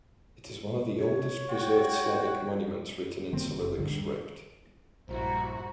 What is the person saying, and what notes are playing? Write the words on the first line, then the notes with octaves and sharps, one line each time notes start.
It is one of the oldest preserved Slavic monuments written in Cyrillic script.
C#5
F#4 G5
D#3 G3 A#3 C4
F#1
C#2 G2 D3
D#3 G3 D4
A#1 G2 E4 F#4 C5 A#5